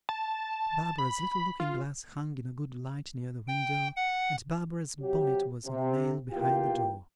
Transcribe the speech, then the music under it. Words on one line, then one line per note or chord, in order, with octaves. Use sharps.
Barbara's little looking-glass hung in a good light near the window, and Barbara's bonnet was on a nail behind the door.
A5
B5
F4
G5
F#5
C3 F#3 G4
C3
E2 A#3 F4 G4 G5